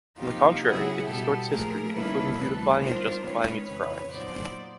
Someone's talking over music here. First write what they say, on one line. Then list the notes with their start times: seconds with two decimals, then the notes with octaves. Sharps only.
On the contrary, it distorts history, including beautifying and justifying its crimes.
0.18 C3 F3 A#3 D#4 F4 G4
0.62 C#3 F#3 B3 E4 F#4 G#4
1.05 B2 G3 B3 G4 A4
1.50 A#2 F3 A3 G#4 A#4
1.94 D#3 G3 A#3 C#4 E4 A4 B4
2.37 D2 C3 E3 G3 B3 A4 B4
2.81 D#3 G3 B3 D4 F4 A#4 C5
3.24 D#3 G#3 C#4 B4 C#5
3.68 F2 C#3 E3 B4 C#5
4.11 A#2 F#3 B3 D#4 C5 D5